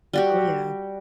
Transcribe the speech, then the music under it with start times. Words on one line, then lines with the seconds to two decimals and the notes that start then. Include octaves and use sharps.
Oh, yeah.
0.13 G3 F#4 G4